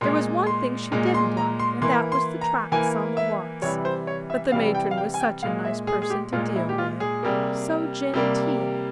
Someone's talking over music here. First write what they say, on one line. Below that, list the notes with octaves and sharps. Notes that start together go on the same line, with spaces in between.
There was one thing she didn't like and that was the tracts on the walks; but the matron was such a nice person to deal with, so genteel.
A#2 G#3 C6
C6
A#2 G#3
C6
A#5
C6
E3 A#3 C6
C6
A#5
E3 A#3 G#5
E5
C3 E3 G3 C#5
C5
C#5
E5
C3 E3 G3 F5
G5
F5
G5
G#5
G5
A#2 G#3 F5
E5
G#4
G#4
G4
A#2 G#3 F4
E4
G4
F4
G#4
C3 G3 A#3
C3 G3 A#3